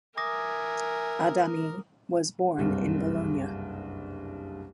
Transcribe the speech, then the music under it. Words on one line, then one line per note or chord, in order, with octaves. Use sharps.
Adami was born in Bologna.
A#4 E5 G#5 D6 D#6 A#6
F#1 C2 G2